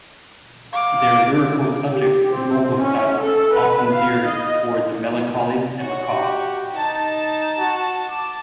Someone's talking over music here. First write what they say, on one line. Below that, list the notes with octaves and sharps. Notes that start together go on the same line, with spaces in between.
Their lyrical subjects and vocal style often veered towards the melancholy and macabre.
F5 D6
G4
C4
C#4
A4
B4
F5
D#5
F#4 C#5
G4
D#4 A5
F#4
D6